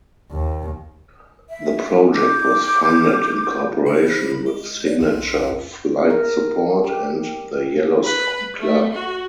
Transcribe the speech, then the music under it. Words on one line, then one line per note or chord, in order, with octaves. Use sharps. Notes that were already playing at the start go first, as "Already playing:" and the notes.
The project was funded in cooperation with Signature Flight Support and the Yellowstone Club.
D#2
E5
D6 G6
C#3 C5 B5
G#3
B4 C#5 D5
B1 F2 F4
A#4
G4
B4
A3
F#4